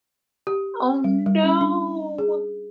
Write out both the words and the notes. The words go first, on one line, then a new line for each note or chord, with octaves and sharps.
Oh, no.
G4
G3
G3
C#4
D4
G#4